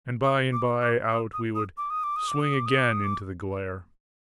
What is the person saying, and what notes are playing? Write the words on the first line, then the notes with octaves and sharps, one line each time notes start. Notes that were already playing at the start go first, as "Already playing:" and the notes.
And by and by out we would swing again into the glare.
D#6
D6
D6
D#6
D#6
D#6
D6
D#6
D6
D#6
D6
D#6
D6
D#6
D6
D#6
D6